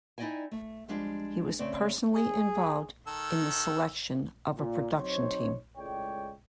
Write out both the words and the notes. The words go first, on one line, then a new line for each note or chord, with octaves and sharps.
He was personally involved in the selection of a production team.
D#4 E4 D5 D#5 G5 G#5
A3
F3 G3 G#3 D4
C#3 A3 C4 D5
G#4
D#3 A4 E6
A#2
F#3 C4 D#4 C5 C#5
C#2 A2 G#3 C#5 D5 G5